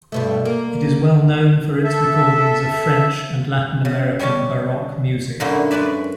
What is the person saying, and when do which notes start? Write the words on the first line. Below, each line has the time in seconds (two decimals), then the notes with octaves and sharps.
It is well known for its recordings of French and Latin American Baroque music.
0.12 G2 B2 A3
0.45 A#3
1.84 A4 E5
3.85 C#3
4.19 G3 C#4 C#5 D#5 A5
5.40 F#2 A#2 D3 A#3 D#4 E4
5.71 F#2 G#3 B4 D5 E5